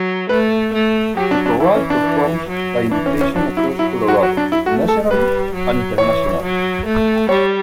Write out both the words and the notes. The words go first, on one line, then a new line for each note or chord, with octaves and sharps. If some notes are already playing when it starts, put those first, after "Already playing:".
The Chorale performs by invitation across Colorado, nationally and internationally.
Already playing: F#3
A3 B4
A3
F#3 G4
D4
D4
E3 E4
C#4
D4
E3
F#3
E3 D4
C#4
C#4
F#3 D4
E4
E4
F#4
F#4
D4
E4
A3 F#4
A4
G3 B4
F#3
E3 C#5
F#3
A3
G3 C#5